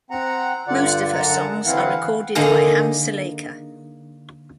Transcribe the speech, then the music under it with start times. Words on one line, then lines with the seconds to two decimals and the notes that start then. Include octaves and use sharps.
Most of her songs are recorded by Hamsalekha.
0.10 C4 F#5 A#5
0.68 G2 D3 F4 D5 F#5
1.13 F#2 D3 F#5 A5 A#5
1.66 D2 E3 C4 E4 F5 F#5
2.35 D3 A#3 D#4 G#4 A#4